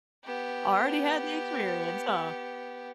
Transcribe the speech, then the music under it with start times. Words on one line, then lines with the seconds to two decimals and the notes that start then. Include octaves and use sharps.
Already had the experience, huh?
0.25 B3 G4